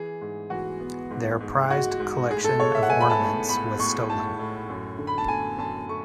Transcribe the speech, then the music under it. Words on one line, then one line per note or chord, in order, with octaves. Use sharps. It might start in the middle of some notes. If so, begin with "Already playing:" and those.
Their prized collection of ornaments was stolen.
Already playing: E3 G#4
G#2
E3 F#4
B3
G#2
G#2
G#3 F#4
G#2
A2 G#4
A4
G#3 C#5
E5
F#5
B3 G#5
B5
A5
A2
A2 B5
A2 C#6
A2 A5
A2
F#2
D3
B5
A5
D3 G#5
F#2 A5
A3 C#6